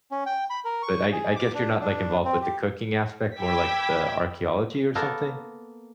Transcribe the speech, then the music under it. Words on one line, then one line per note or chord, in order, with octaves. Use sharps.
but I I guess you're not, like, involved with the cooking aspect, more like the archeology or something?
C#4
G5
B5
A#4
C#6
G#4
D6
D4
D4
C4
G4
G5 B5 D6 E6 G#6 B6
A#3 B3 A4 A#4